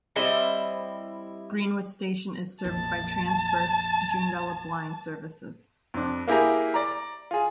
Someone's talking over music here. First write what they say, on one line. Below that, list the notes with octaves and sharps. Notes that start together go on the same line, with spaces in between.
Greenwood station is served by Transperth Joondalup line services.
G3 C4 E4 D#5
A#1 F2 A5
F2 D4
A#3 E4 G4 G#4 A#4
D5 A#5
F4 G#4